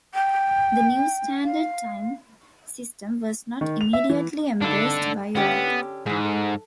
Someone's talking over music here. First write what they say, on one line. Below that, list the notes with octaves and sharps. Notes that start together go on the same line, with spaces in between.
The new standard time system was not immediately embraced by all.
G5
F5
D#3
F7
E5
E3
G2 D3 D4 D#4 A4
D3 B3 C#4 G4
G#2 E3 G#4
A4